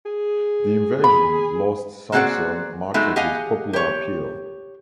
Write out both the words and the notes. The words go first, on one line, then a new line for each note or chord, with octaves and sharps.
The invasion lost Sampson much of his popular appeal.
G#4
B5
A#3 C4 F#4 G#4 D5 F#5
G#3 A3 B3 D#4 F#4
G4 G#4 D#5 F5 F#5 G#5
G4 C#5